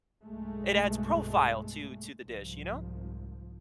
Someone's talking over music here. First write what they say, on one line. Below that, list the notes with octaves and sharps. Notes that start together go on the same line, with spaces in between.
it adds profile to to the dish, you know?
B1 G2 G#3 A3
C2 G#2 F3